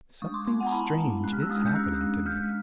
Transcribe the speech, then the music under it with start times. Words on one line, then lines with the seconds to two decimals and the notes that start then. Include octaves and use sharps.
Something strange is happening to me.
0.22 G#3 C#6 D#6
0.34 C6 D6
0.47 B3 C6 D6
0.60 F#5 G#5
0.66 A#5
0.72 E4 A5 B5
0.98 G#3
1.24 C#4 F#6
1.33 F6
1.42 E6
1.49 G#3 D#6 F6
1.66 G6
1.75 C#4 E6 F#6
2.01 G#3
2.26 G#3 F6 G6